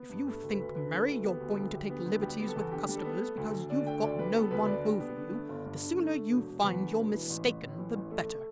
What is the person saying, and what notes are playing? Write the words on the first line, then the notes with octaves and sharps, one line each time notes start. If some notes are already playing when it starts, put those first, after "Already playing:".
"If you think, Mary, you're going to take liberties with customers because you've got no one over you, the sooner you find you're mistaken the better."
Already playing: B3
G2
A3
D2
B4
D2
D3 B4
A3
D2
B3 G4
D2
A4
D2
D3 G4
B3
D2
G3 G4
B3
A4
E2
D3 G4
G3
A4
B3
A3
D2
D2
D3 D5
A3 G5
D2 D5
G3 B4
B3 A4
D2 B4
D3 D5
G3
B3
D3
A3
G1
G2
D3
A3
D3
E1
E1
E2 B4
D3
E1
E3
A1
A1
A2
E3
A1
A3 A4